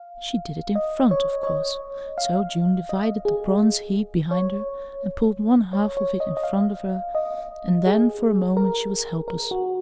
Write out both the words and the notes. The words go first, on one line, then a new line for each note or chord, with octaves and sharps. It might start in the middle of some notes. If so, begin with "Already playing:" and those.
She did it in front, of course, so June divided the bronze heap behind her and pulled one half of it in front of her and then for a moment she was helpless.
Already playing: F5
D#5
C#5
C#5
D#5
F5
D#5
G#4
C#5
C#5
C#5
D#5
D#5
F5
D#5
G#4
A#4
A#4
F#4